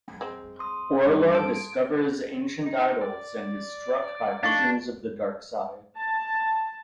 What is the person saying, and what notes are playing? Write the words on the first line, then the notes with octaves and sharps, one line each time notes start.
Orla discovers ancient idols and is struck by visions of the dark side.
G#3 C4
C6 D#6
G2
A4 D7
D#4
D5
D4 D#4 F5 C#6
A5